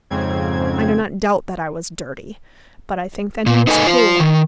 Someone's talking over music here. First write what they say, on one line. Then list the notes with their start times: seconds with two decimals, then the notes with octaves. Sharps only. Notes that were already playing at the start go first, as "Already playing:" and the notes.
I do not doubt that I was dirty;--but I think that he was cruel.
0.10 F2 G#2 C#3 C4 G#6
3.46 A#2
3.67 D#4 A4 B4 D#5 G#5
3.87 F4 C5
4.20 D#3